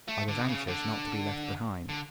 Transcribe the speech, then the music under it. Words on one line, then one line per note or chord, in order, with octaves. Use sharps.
I was anxious not to be left behind.
A3
D3
B2
C#3
D3
D3